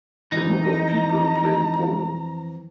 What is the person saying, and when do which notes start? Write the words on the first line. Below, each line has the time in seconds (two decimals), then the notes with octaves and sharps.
A group of people playing polo.
0.32 F2 E3 D#4 A#5